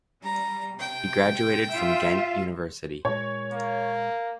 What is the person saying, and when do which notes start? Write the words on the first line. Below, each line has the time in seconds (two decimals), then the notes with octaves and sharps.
He graduated from Ghent University.
0.24 G3 A#5
0.79 C3 G5
1.73 F4 E5
3.05 A#2 G#3 C#5
3.52 A#3